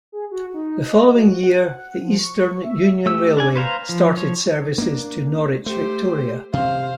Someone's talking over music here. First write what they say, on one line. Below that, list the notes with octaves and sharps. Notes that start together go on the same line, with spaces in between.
The following year the Eastern Union Railway started services to Norwich Victoria.
G#4
F#4
D#4
D#5
F#4
F#5
F3
C#6
E5
A3 G4 E6
D4 D5 G#5
B4 C5 F5 A#5
F3
F3 C#5
A#3 B3 D4
A3 G4 C5
C3 C5 F5